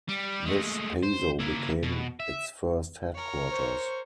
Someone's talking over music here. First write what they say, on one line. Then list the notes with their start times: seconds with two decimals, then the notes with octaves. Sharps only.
This pazo became its first headquarters.
0.09 G3
0.45 G#3 A3
1.03 C5
1.40 A#3 E4
1.83 B2
2.20 E5
3.15 A#4 C#5
3.52 C5 C#6